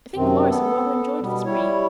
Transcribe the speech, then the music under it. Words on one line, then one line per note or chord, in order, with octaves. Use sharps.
I think Morrison rather enjoyed the spree.
F#2 C3 D#3 C4
B3 A4
B2 G3 B3
G3 E4 C#5